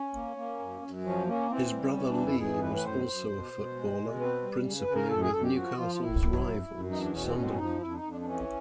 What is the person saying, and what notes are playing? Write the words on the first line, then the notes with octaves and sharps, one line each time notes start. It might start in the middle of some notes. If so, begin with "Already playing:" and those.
His brother Lee was also a footballer, principally with Newcastle's rivals Sunderland.
Already playing: C#4
A#3
A#3
F#2
F#2
F3 C#4
A#3 C#4
E3 C4
G3
E3 C#4
D4
F2
E4
E3 G#4
A2 B4
B4
F#2 C5
F#2
B2
B2
G#3
B2
C4 B4
G3
C#3
B4
C#3
A#4
F#2 A4
G#4
F#2 A4
G4
F3 F#4
F3 F4
F4
A2 E4
F#3
F#2
F#2
E2 D#4
D4
B2 C#4
C4
A2 C#4
C4
C#4
F3 D#4
F2 E4
D4
D#4
F2
D4
D4
E3 C#4